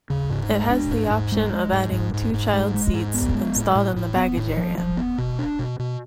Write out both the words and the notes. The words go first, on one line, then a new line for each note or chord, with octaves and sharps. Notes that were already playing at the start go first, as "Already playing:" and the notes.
It has the option of adding two child seats, installed in the baggage area.
C#3
G#2
G#3
D4
G#2
G#2
G#3
G#3
G#2
G#2
G#2
G#2
G#3
G#3
G#2
B3
G#3
A2
A2
A2
B3
A2
F3
F3
B3
B2
D4
B2
B2